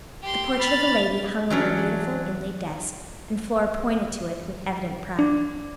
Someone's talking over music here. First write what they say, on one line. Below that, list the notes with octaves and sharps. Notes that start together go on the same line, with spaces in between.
The portrait of a lady hung over a beautiful inlaid desk, and Flora pointed to it with evident pride.
G4 C6
B5 F6 A6
E3 F#3 C#4 D4
D4